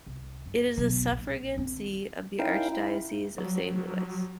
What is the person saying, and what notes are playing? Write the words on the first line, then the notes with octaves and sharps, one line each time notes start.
It is a suffragan see of the Archdiocese of Saint Louis.
C2
G2
B1 F#3
A#1
D#3 C4
C#4 D#4 E4 A#4 F5 G5
E4
F#3